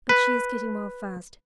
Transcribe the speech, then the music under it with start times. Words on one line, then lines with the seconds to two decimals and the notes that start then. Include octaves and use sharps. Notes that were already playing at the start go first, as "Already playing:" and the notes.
But she is getting well fast.
0.09 B4